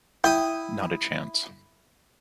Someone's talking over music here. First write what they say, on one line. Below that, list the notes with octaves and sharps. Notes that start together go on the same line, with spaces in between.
Not a chance!
E4 G5 D#6